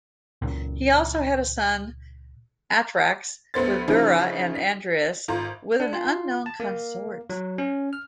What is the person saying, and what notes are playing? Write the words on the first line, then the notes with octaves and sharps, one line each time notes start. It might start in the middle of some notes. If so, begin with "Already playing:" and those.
He also had a son Atrax with Bura, and Andreus with an unknown consort.
C#2 A#2
D2 B3 C5 A6
C#3 F3 D#4 E4
B6
G#1 F4 A#5
D4
F4
A5
A#3
F#3
C#4
F6